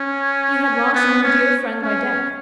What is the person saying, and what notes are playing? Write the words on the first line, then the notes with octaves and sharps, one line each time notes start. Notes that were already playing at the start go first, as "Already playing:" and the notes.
He had lost no dear friend by death.
Already playing: C#4
B3
C#4
C#4